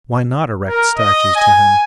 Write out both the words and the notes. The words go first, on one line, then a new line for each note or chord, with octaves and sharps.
Why not erect statues to him?
A#4
D#5
G#5